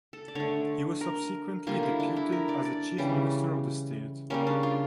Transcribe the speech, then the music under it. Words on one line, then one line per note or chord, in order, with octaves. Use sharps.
He was subsequently deputed as the Chief Minister of the State.
A4
D5
D3 A3 C#5
A#4
D3 G3 A#3 F4
E4
D4
E4
A#4
D5
D5
C#3 E3 G3
C#3 G3 A#3 C#4
D4
F4